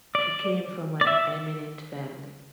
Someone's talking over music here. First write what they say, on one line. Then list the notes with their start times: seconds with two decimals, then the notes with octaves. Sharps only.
He came from an eminent family.
0.15 D5
1.01 D5
1.07 E5